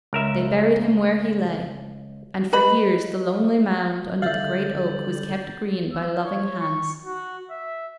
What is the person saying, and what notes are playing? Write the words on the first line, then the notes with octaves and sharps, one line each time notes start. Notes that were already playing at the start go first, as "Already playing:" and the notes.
They buried him where he lay; and for years the lonely mound under the great oak was kept green by loving hands.
C#2 A#4 E5
B4 D#5 B5
D3 G3 E5 F5 G6 A6 F#7
E6
C#5
C#6
F#4
E5